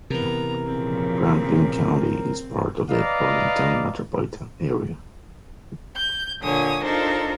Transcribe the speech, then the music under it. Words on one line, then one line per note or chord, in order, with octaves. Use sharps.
Franklin County is part of the Burlington metropolitan area.
C3 E3 B3 A#4 A#5
A#2 C#3 F3 C4
B4 D5 D#5 F5 A#5 D6
G6
A#2 D3 C#5 G#5 D#6
D4 D#4 F4 A4 A#4 C5